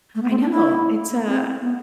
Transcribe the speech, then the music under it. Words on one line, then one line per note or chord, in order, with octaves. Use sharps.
I know, it's uh,
A3
B3
C4
D4
E4
C4
B3